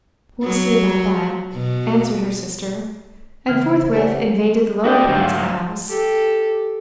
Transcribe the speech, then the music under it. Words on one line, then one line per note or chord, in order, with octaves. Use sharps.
'We'll see about that,' answered her sister, and forthwith invaded the lower parts of the house.
F#3
B2
C#3 E3
C5
A#3 G4 C#5 D5 F#5 G#5
A3 D4 F#4 G4 D#5 G5
D2 G#2 F#3 F4
G4 A4